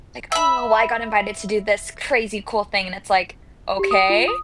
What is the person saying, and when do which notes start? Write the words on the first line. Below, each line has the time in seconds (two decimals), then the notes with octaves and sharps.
Like, "Oh, I got invited to do this crazy cool thing," and it's, like, "Okay,
0.32 E5 B5
3.79 G4
3.91 D#6
4.10 F4
4.28 D#6